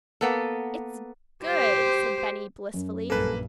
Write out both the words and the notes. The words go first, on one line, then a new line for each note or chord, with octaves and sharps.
"It's good," said Benny blissfully.
A#3 B3 A4
G4 C5
F#2
A#1 G2 A#3 A4 B4 G#5 A5